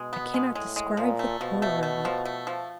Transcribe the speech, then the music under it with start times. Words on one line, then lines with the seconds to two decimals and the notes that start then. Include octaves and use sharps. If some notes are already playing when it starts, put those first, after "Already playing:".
I cannot describe the horror of it.
Already playing: B2 G#3
0.13 B3
0.34 G#3
0.55 A2 G#3
0.76 G#3
0.97 A#2 F3
1.19 A3
1.41 B2 F3
1.62 A3
1.83 A3
2.05 F3
2.25 A3
2.47 F3